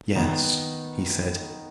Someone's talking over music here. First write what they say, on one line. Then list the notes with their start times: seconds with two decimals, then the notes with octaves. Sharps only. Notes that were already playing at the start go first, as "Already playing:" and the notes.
"Yes," he said.
0.16 D#3 B3 D#4